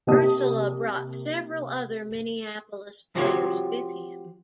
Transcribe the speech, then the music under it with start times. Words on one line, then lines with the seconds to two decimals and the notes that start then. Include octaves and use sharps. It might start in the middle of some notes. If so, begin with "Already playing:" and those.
Ursella brought several other Minneapolis players with him.
0.07 C3 A#3 D#5 A5 D#6
3.15 F3 C4 F#4 G4 C#5